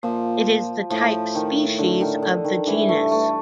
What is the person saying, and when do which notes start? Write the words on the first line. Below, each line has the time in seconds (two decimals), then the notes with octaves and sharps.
It is the type species of the genus.
0.03 A#2 F3
0.90 A2 F3
1.35 D#3
1.79 D3
2.01 D#3
2.23 D3
2.44 D#3
2.67 G2 E3
2.89 A3
3.12 A3